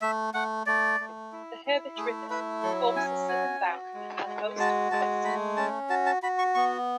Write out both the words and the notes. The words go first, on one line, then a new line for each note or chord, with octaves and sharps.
The "Herbert River" forms the southern boundary and most of the western.
A3 E5
A3 F#5
A3 D5
A3
E4
E4
A3 G#4
E4 B4
F#3 A4
C#4 G#5
F#4 G#5
F#4
G#3
G#3
F#4 A5
G#3 A5
A3 B5
C#4 A5
F#4 A5
A5
F#4 B5
C#6
B3 C#6